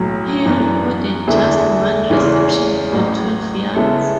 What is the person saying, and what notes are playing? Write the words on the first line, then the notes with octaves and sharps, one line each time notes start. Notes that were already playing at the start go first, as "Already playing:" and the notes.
He recorded just one reception for twelve yards.
Already playing: B1 A2 F#3
F#2 E3 B3 D4
E2 D3 A3 E4 G#4
E2 C#3 E3 G#3
A1 A2 F#3
C#3 G#3 B3 E4 A4